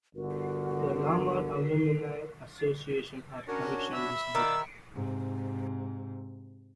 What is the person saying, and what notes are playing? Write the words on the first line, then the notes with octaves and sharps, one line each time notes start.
The Lamar Alumni Association had commissioned this book.
G1 D3 F#4 A#4
C#4 D4 F#4 A#4 C#5
E5 B5 E6
D#3 D5 F5 D6 E6
G#2 C3